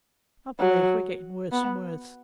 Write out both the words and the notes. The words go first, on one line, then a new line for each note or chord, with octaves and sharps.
I believe we're getting worse and worse.
F#3
B3